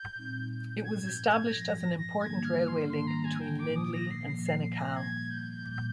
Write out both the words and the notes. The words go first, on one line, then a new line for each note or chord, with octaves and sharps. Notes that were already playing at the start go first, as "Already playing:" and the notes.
It was established as an important railway link between Lindley and Senekal.
Already playing: G6
A#2 G3 C4 D#4
G#2 F3 G#3 G#6
G6
G#6
G#2 F3 G#3 A#6
A#6
A#6
G#2 D#3 G3 A#3 D4 G#6
F6
C6
G#2 D#3 G3 A#3 D4 C6
A#5
G#5
G5
A#2 F3 A#3 D6
D#6
A#6
C7
A#2 F3 A#3 C7
C7
A#6
A#2 G3 A#3 G#6
G6
A#2 G3 A#3